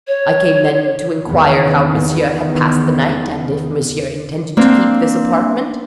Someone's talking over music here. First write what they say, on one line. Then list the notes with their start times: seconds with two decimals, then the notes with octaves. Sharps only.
"I came, then, to inquire how monsieur had passed the night, and if monsieur intended to keep this apartment?"
0.07 C#5
1.28 E2 D#3 B3
4.57 A#3 C4 D4